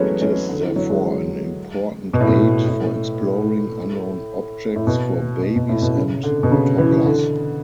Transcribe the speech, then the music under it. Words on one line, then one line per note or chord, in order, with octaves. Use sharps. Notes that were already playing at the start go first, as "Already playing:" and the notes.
It is therefore an important aid for exploring unknown objects for babies and toddlers.
Already playing: E3 F#3 G#3 A3 B3 C#4
C#4
D3
E3
F#3
G#3
B2
A2
B2
A2
A2
B2
B2
B2
A2
B2
C#3
D3
B2
C#3
E3
D3